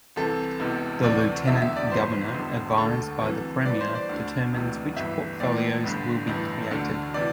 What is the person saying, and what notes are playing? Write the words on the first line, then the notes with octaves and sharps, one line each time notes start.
The Lieutenant Governor, advised by the Premier, determines which portfolios will be created.
C2 C3 E3 A4
E1 E2 C3 E3
D2 C3 E3 D5
E1 E2 D3 E5
E5
D5
G1 G2 E3 C5
E1 E2 D3
E1 D2 D3 A4
C2 C3 E3
G1 G2 E3 D5
C5
D5
D2 D3
E1 D2 C3 E3
G1 G2 E3 E5
A1 A2 E3 D5
G1 G2 D3
A1 G2 E3
D2 D3
C3 E3 D5